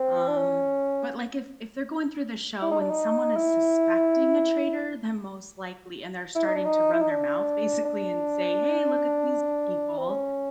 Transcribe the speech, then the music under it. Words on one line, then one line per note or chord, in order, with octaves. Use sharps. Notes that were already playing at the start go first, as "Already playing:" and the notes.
um, but like if if they're going through the show and someone is suspecting a traitor, then most likely and they're starting to run their mouth basically and say, "Hey, look at these people,"
Already playing: C4
D4
C#4
E4
D#4
D4
D#4
E4
E4
D#4
D4
D#4
E4
D#4
D4
D4
C4
C#4